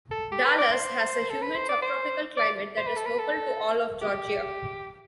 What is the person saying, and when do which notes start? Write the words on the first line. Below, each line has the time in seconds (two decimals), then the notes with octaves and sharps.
Dallas has a humid subtropical climate that is local to all of Georgia.
0.11 A4
0.32 G4
0.45 B4
0.59 D5
0.72 C5
1.30 A4
1.42 B4
1.55 C5
1.69 D5
1.82 C5
2.37 D5
2.77 C5
2.87 B4
2.96 A4
3.06 B4
3.19 A4
4.02 G4